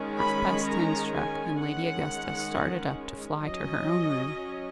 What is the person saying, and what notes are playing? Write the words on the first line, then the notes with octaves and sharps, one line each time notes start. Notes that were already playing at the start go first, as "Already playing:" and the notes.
Half-past ten struck, and Lady Augusta started up to fly to her own room.
Already playing: D#3 G#3 C#4
B5
A#5
G#5
D#3 G#3 C#4 F#5
F#3 C#4 D#5